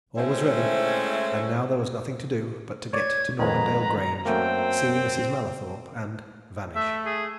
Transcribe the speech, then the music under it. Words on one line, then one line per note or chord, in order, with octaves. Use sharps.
All was ready--and now there was nothing to do but to get to Normandale Grange, see Mrs. Mallathorpe, and--vanish.
G#3 A3 C4 C#4 E4
C#5 D5 G#6
F2 G#2 D#3 B4 A#5
F#2 A3 A#3 C4 G5
A3 E5
G#4